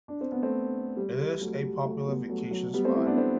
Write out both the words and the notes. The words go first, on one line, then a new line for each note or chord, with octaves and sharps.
It is a popular vacation spot.
D4
C4
B3
A3 C4
G3
G3
F#3 A3
G3
F#3 A3
G3 B3
F#3 A3
F#3
G3 B3
A3 C4
C4 E4
B3 D4
A3 C4